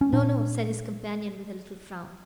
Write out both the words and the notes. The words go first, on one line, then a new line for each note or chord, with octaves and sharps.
"No, no," said his companion, with a little frown.
C#4
A#2 D4